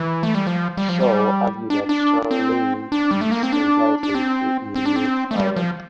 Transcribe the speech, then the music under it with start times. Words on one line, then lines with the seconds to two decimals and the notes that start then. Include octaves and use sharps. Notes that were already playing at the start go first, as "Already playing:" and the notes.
Shaw argued that Shanley is entitled to a new trial.
Already playing: E3
0.23 A3
0.35 G3
0.47 F3
0.77 G3
0.89 F3
1.00 G3
1.70 D4
1.89 D4
2.31 C4
2.92 D4
3.11 G3
3.21 A3
3.32 A#3
3.43 C4
3.53 D4
4.03 D4
4.15 C4
4.76 C4
4.86 D4
4.96 C4
5.31 A3
5.36 G3
5.56 F3